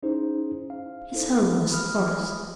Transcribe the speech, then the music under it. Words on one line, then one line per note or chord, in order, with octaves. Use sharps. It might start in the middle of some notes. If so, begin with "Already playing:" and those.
His home was the forest.
C#4 D#4 E4 G#4 C5
F5
D#4 E4 A4 C5
B5 D#6 F6